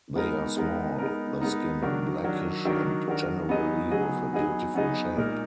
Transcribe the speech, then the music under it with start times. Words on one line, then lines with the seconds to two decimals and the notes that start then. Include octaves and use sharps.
They are small, the skin blackish and generally with a beautiful shape.
0.16 G#3 B3 D#4 A#4
0.57 G#3 B3 D#4 A#4
0.98 G#3 B3 D#4 A#4
1.41 G#3 B3 D#4 A#4
1.82 D#3 F#3 D4 F#4 A#4
2.24 D#3 F#3 D4 F#4 A#4
2.65 D#3 F#3 D4 F#4 A#4
3.08 D#3 F#3 D4 F#4 A#4
3.49 F#3 B3 D#4 G#4 D#5
3.91 F#3 B3 D#4 G#4 D#5
4.33 F#3 B3 D#4 G#4 D#5
4.74 F#3 B3 D#4 G#4 D#5
5.16 A#2 G#3 D#4 A#4